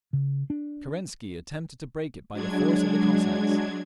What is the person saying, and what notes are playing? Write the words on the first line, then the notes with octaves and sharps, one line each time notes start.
Kerensky attempted to break it by the force of the Cossacks.
C#3
D4
F#3 G#3 D4 G#6